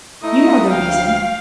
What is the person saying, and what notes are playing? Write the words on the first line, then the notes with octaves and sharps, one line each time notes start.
You know the reason.
A3 D#4 E4 D#5
D2 F5 G5